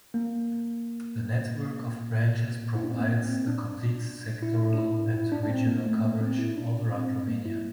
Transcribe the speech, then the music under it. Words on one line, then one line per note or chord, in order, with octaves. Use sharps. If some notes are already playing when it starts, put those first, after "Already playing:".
The network of branches provides a complete sectoral and regional coverage, all around Romania.
A#3
E4
D4
C4
A#3
C4
D4
E4
D4
E4
E4
D4
D4
C4
A#3
A3
A#3
C4
E4
D4
C4
A#3
E4